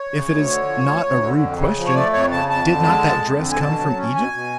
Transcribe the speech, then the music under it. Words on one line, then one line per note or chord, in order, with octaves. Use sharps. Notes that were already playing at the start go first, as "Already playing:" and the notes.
"If it is not a rude question, did not that dress come from Egypt?"
Already playing: C#5
C#3
D2
D3
F3
D2
D2
D3
F2
C#3
F3
C#5
A3 D5
F2 C#5
C#3 A5
F2 A5
D3
G#3
F2
F2
D3
G#5
B2 A5
F#3
C#4
B2 G#5
B2